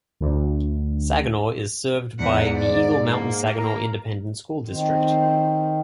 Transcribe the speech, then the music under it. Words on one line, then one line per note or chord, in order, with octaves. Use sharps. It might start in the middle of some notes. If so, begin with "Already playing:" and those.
Saginaw is served by the Eagle Mountain-Saginaw Independent School District.
D2
E2 G#2 F#5
D5
A#3
A#4 A#5
D#3 C4